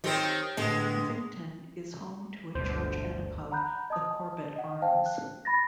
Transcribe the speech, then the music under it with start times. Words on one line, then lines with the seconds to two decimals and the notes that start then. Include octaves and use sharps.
Uffington is home to a church and a pub, the Corbet Arms.
0.04 D#3 C4 G4 C5 C#5
0.57 A2 D3 G#3 B3
2.55 G1 D2 B2 C5
3.51 F#5 A#5 B5 F#6 G6
3.90 D#5 A5 D#6
4.56 D#5 F#5
4.82 C5 F5 G5 A5
5.06 F#6
5.45 B5 A6 A#6